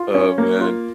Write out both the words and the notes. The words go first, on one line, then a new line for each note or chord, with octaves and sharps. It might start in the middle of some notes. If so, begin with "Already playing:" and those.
Oh, man.
Already playing: F4
C#4
A#3
F4